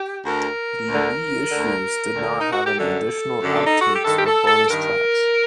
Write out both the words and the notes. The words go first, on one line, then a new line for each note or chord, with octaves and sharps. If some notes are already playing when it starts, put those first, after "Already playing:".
The reissues did not have any additional outtakes or bonus tracks.
Already playing: G4
D2 D3 A#4
D2 D3
D2 D3
D2 D3
D#4
F#4
G4
F#2 D3 A4
F#2 D3
D4
D#4
F#4
G4
G2 D#3 A4
G4
A4
A4
G2 D#3 A#4